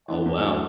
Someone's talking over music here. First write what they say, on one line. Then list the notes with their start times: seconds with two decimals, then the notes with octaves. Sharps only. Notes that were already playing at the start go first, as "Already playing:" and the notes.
Oh, wow.
0.08 E3 B3 D4
0.26 E2
0.43 D3 F#3 A3 D4